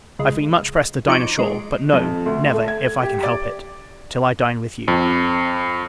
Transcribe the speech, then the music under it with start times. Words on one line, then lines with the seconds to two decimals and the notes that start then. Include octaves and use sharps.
I have been much pressed to dine ashore: but, no; never, if I can help it, till I dine with you.
0.19 C#2 G#3
1.08 F3 D#4 C#6 D6 D7
1.39 G#3
1.93 F2
2.26 D2
2.53 A3
2.68 G#6
3.03 G4
3.23 D5
4.88 F2